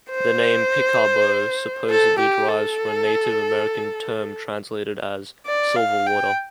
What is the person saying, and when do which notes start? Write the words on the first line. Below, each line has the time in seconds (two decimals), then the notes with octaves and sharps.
The name "Picabo" supposedly derives from a Native American term translated as "silver water".
0.11 C5
1.90 A4
2.19 G4
2.49 A4
5.46 D5
5.76 F5
6.07 G5